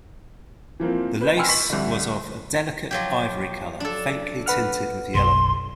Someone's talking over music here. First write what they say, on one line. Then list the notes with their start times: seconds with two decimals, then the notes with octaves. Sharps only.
The lace was of a delicate ivory color, faintly tinted with yellow.
0.80 E3 F3 A#3 C4
1.21 B4 G6
1.37 G5 G#5 B5 C6 E6 F6
1.48 C#6 B6 F#7
1.70 C2 D3
2.91 F3 F#3 G4
3.80 D4 A4
4.46 B4 F#5 F6
5.15 F#1 B1 C6